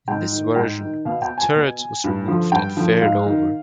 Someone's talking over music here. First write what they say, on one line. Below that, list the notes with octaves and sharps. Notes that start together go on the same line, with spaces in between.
In this version, the turret was removed and faired over.
G#2 G5
D#3
G#2 G5
D#3
B2 F5
G5
G#5
B2
G2
D3 F3
G2 G5
D3 F3
G#2 F5
D#3